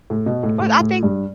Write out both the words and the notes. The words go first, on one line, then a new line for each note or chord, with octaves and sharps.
Well, I think
A2
B2
A2
A2
A2
G2